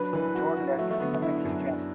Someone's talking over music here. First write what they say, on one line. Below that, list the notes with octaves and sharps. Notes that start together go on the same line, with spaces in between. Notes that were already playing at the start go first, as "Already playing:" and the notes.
Joad later became a Christian.
Already playing: F#3 D4 B4
E3 B4
F#4
F#4
F#3 A3
A3
D3 B3
D4 E4
F#2
D4